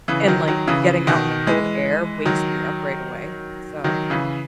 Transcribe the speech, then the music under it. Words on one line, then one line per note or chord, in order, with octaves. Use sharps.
And, like, getting out in the cold air wakes me up right away. So
C#3 E3
D#3 F#3
D#3 F#3
C#3 E3
B2 D#3
E3 G#3
D#3 F#3
D#3 F#3
C#3 E3